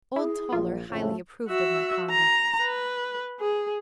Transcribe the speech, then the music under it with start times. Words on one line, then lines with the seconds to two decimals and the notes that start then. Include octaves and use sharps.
Old Toller highly approved of my conduct.
0.16 E4 G#4
0.53 A#1 F4
0.90 F2 A2 C#3 A3
1.48 F#4 E5
2.10 A#5
2.62 B4
3.40 G#4